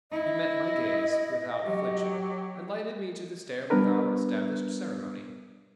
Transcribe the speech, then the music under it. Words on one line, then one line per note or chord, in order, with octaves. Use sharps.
He met my gaze without flinching, and lighted me to the stair with our established ceremony.
E4 D#5
F#3 G4
G3 B3 D4 A#4 B4